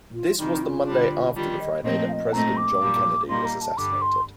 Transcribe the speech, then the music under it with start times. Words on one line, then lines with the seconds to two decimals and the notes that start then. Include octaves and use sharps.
This was the Monday after the Friday that President John Kennedy was assassinated.
0.13 F4
0.38 C3 D#3 G3 D#4
0.63 F4
0.86 D3 G3 D4
1.35 D#3 G3 D4 F4
1.59 D#5
1.84 A#2 F3 A3 C4 D#4 D#5
2.08 F5
2.12 D#5
2.32 A#2 A3 C4 D#4 A#5
2.57 D6
2.81 A#2 G3 A#3 D4
3.29 A#2 G3 A#3 D#4 C6
3.45 A#5
3.61 A5
3.77 G2 D3 G3 D4 D6
4.02 C6